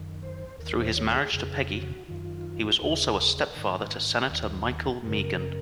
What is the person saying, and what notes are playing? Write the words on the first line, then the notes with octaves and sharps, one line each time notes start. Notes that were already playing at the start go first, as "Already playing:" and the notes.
Through his marriage to Peggy, he was also a stepfather to Senator Michael Meighen.
Already playing: F#2 D#3
C5
D#2 D#3 A#4
C5
C#5
G#4
F2 C#3 G#4
F#4
F#2 D#3 F4
D#2 C#3 G#4
G#2 D#3
D#2 D#3
F#2 C#3 A#4